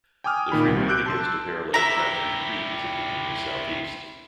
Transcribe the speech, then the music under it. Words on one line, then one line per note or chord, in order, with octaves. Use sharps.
The freeway begins to parallel Crabtree Creek as it continues southeast.
G5 G#5 D6 D#6 F6
A#2 D#3 B5
C2
D6 E6 F#6 G6 D7
A5 C6 E6
E4 G4 E5 A#5